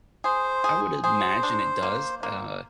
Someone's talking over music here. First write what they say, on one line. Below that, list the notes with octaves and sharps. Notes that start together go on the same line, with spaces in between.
I would imagine it does, uh,
G#4 C5
G#4
G#4 C5
D4
A#3
A#3